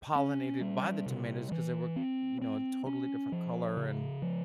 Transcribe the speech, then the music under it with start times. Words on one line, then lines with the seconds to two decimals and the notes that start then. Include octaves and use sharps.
pollinated by the tomatoes, 'cause they were, you know, a totally different color and,
0.16 C#4
0.61 G3
1.06 C3
1.52 E3
1.96 C4
2.42 C4
2.87 C#4
3.32 F3
3.77 C#3
4.22 F3